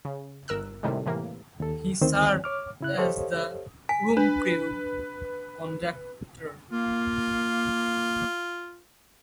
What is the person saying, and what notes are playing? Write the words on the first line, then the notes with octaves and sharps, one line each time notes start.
He served as the "Worm Crew" conductor.
C#3
G1 A#4 E6 F#6
A2 C3 D#3 G3 G#3
A2 C3 E3 A#3
D#2 A4
D2 D#3 C4 C5
C#5 D6 F6
C#3 E4 F#6
G4 A4 C5 C#5 D#5 F5
G#5 B6
D4 B4
A#3 F4